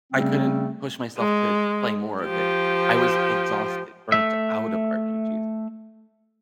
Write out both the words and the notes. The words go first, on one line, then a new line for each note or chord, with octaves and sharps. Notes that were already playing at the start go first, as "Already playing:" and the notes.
I couldn't push myself to play more of it. I was exhausted, burnt out of RPGs.
C#3 G3 A3 C4 C#4
G#3
F3 G4
A3 E5